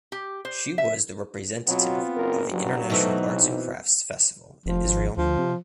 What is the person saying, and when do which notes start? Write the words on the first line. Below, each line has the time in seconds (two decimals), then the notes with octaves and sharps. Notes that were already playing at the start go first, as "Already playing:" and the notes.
She was the representative of the International Arts and Crafts Festival in Israel.
0.12 G4
0.45 C5
0.78 E5
1.68 B2 F#3 B3 C4 F4
2.16 F#1 A#4
2.53 G2 F#3
2.90 B2 E3 A3 C4 D#4
3.24 B1
4.66 F1 F3
4.84 G#1
5.17 D2 F3
5.38 C3